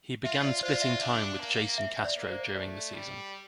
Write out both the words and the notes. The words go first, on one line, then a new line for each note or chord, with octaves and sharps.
He began splitting time with Jason Castro during the season.
F4 E5
D5
F4 C5
D5
E5
D4 F5
A#3
E5
D5
A#3
C5
A3 D5
G3